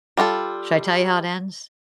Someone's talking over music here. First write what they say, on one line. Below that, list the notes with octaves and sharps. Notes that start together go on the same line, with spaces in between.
should I tell you how it ends?
G3 F4 F#4 A4